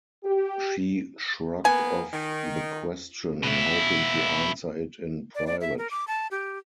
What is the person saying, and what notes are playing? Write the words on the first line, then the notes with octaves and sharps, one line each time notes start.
She shrugged off the question in hoping to answer it in private.
G4
A#3 B3 G#5
D#3
B2 E4
D5
D5
E5
A#4
D6
A5
G4